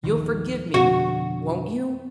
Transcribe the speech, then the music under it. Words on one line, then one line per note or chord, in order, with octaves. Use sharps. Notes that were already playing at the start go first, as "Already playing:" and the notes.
You'll forgive me--won't you?
D#1 A#1 D#3
F2 B2 D3 F#4